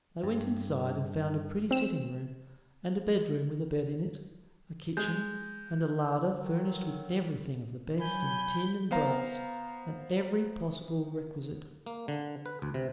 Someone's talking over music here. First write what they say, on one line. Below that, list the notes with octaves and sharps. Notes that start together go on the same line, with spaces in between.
They went inside and found a pretty sitting-room, and a bedroom with a bed in it, a kitchen, and a larder furnished with everything of the best in tin and brass, and every possible requisite.
G2
C4 E7
G#3 G6
D3 D#3 F#3
F#3 G#5 B5 G6
B3 C5 F5 A#5
A#3
D3
B4
D2
C3